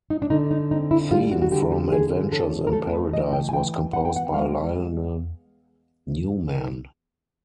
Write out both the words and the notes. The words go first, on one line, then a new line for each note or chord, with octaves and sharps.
"Theme from Adventures in Paradise" was composed by Lionel Newman.
D#4
D4
D3 D#4
D#4
C4 D#4
E4
G3 F4
F#4
F#4
D3 G4
G4
E3 G#4
C#4 A4
A#4
A3 A4
B4
E3 D#5
G5
G#5
E3 G5
B3 F#5
G5
F#5
G#3 F5